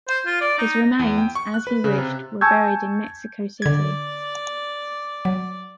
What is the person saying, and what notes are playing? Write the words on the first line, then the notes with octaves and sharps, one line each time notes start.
His remains, as he wished, were buried in Mexico City.
C5
F4
D5
D#4
E2
G5
C#6
F#6
B4
C#3
C3
G#5 A5 C#6 E6 G6 G#6
D3 D5 G#6
F#3